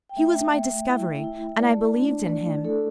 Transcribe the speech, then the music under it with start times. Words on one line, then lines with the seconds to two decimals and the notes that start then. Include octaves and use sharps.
He was my discovery and I believed in him.
0.09 G5
0.17 A3 E5
0.53 A3
0.88 E4
1.24 E4
1.58 A3 D5
1.94 D4
2.29 A3 D5
2.65 A3 A4